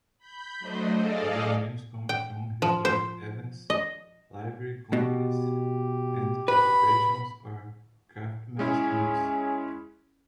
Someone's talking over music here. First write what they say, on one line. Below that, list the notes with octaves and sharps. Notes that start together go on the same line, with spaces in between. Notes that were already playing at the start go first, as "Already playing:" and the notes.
Other names come from historic events, livery companies, and occupations or craftsmen's guilds.
B5 G6
F#3 A3 D4 C5 D#5
G#4 A4 D5 D#5 F5
G5
F3
C5
D#5
B2 G4
B4 B5
G#3 C#4 E4 G#4